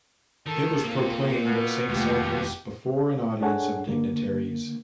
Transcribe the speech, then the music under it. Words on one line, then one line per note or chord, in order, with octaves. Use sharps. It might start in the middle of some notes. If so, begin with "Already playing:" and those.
It was proclaimed at Saint Sulpice before an audience of dignitaries.
D#3 A4
A#3 C4 F4
B2
F1 D#2 A#3 F4 G4
D4 G#4 A4 C#5 F#5 G#5
D3 A#3